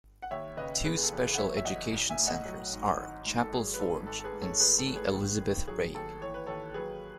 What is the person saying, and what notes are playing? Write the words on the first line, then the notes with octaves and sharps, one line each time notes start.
Two special education centers are Chapel Forge and C. Elizabeth Reig.
F#5
D#2 C#5 E5
C#3 B4 D#5
F#1 G#4 B4
G#4
A4
E2
G#4
F#5
F#3 C#5 E5
E5
E2 D#5 F#5
B1
E5 G#5
A2
D#5 F#5
F#3
G#2
G#1
G#2
A4
F#3 G#4
B4
G#2 A4
G#1 A4
A4
G#4 B4
G#2
A4 C#5
A1 G#4 B4
A4
A2
G#4 B4
D#2
D#3
F#3 G#4
D#2 A4
E3 C#5
B4
D#2 A4 C#5
F#3 G#4 B4